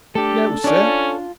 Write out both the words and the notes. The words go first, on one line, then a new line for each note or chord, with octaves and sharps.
"No, sir."
A3 D4 G4 A4
C#4 D4 F4 D5 A5